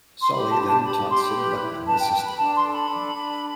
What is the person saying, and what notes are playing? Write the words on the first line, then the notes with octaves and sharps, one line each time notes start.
Solly then taught Sid Luckman the system.
C6
G4 B5
A5
D4 B5
A5
G4 B5
B5
G4 C6
B5
B4
E4
B4 A5
G5
B4 G5
B5
D4 A5
C6
A4 A5
B5
D4
D4